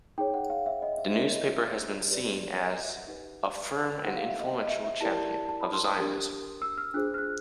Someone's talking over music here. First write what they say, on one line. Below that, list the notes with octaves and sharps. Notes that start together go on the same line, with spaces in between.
The newspaper has been seen as "a firm and influential champion of Zionism".
D#4 G#4 C#5 G5
F#5
F5
E5
D#5
E5
D4 F4 A#4 C#5 E5
D#5
G4 B4 D5
D#5
D#5
E5
F#5
D#4 G4 B4
D#4 G4 A#4 F#5
F5
E5
D#5
D#5
E5
E5
E4 G4 A#4 D5 A5
A5
A5
A5
B5
C6
D#6
D4 G4 A#4
E6
F6
D4 F4 G#4 C5 F#6
F6
F#6